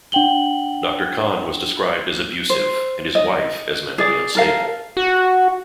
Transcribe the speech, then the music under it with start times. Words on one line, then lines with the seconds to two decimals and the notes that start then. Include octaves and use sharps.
Doctor Conn was described as abusive and his wife as mentally unstable.
0.12 D4 F#5 G5 F#7 G7
2.50 C5
3.15 D#5
3.98 G#4 D5
4.35 A4 A#4 F5
4.97 F#4